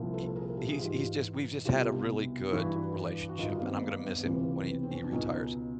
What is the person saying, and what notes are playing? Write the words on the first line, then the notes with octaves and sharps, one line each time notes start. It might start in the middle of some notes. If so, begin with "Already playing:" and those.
He he's he's just we've just had a really good relationship, and I'm gonna miss him when he he retires.
Already playing: C2 A#2 F3
A4 B4
A4
G#4 A#4
A#4
G4 A4
G#4
G#2 E3 F4 G4
C2 B2 F4 G4
G2 E3 E4 F#4
F#4
G2 D#3 D#4 F4
D#4 F4
A#3 C4
A#3 C4
B3
B3
C#2 C3 E3 A#3 C4
B3
C4
B3 C#4
D4
C#2 B2 C#4 D#4